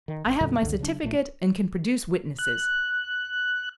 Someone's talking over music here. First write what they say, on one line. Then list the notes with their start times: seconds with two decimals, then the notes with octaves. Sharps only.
I have my certificate and can produce witnesses.
0.08 D#3
0.26 G#1
0.41 F2 A#2 D3 G3
0.62 C#2 F#2 D3 D#3
0.79 C#3 F#3 G3 D4
1.03 A#1 A#2 A3
2.39 F#6